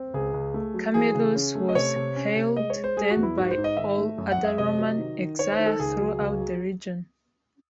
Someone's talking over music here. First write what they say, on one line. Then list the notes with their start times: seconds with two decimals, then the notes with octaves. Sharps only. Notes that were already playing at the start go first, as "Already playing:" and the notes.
Camillus was hailed then by all other Roman exiles throughout the region.
Already playing: C4
0.14 C#2 G#4
0.34 C#2
0.54 A3
0.74 F#3
0.94 E3 G#4
1.15 C#3
1.35 C#4
1.55 A3
1.69 D#5
1.75 C3 C#5
1.96 C3
2.16 C#4
2.36 C3
2.56 G#3 D#5
2.70 C#5
2.76 G#3
2.84 C5
2.97 G#3 G#4
3.11 F#4
3.16 E2
3.23 E4
3.37 G#2 F#4
3.51 C5
3.58 G#2
3.64 D#5
3.77 D#3 E5
3.98 A3
4.18 F#2
4.31 F#5
4.38 F#2
4.45 E5
4.58 C3 D#5
4.78 F#3
4.98 D#3
5.19 D#3
5.39 D#3 C#5
5.52 C5
5.59 D#3
5.66 A4
5.79 C#2 G#4
6.00 F#3
6.20 C#2
6.40 F#3